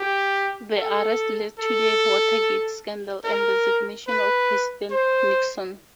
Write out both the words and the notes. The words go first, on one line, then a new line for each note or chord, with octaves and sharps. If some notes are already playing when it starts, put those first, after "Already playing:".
The arrests led to the Watergate scandal and resignation of President Nixon.
Already playing: G4
A4
A4
A#4
B4
C5